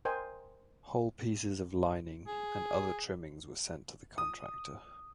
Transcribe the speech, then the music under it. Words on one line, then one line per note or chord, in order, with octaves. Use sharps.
Whole pieces of lining and other trimmings were sent to the contractor.
A#4 C5 D#5 G5 G#5
G#4
D#6